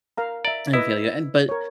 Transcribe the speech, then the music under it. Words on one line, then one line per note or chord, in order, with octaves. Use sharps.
I feel you, and but,
A#4 F5 A#5
D5 E5 A#5
E4 B4 D#5
A#4 C#5